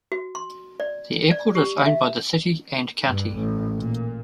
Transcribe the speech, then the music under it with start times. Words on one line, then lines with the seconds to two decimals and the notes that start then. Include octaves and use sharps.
The airport is owned by the city and county.
0.12 F#4
0.35 C6
0.80 D5
1.31 D5
1.55 G4
1.86 E5
3.05 G2
3.36 A1
3.76 A#2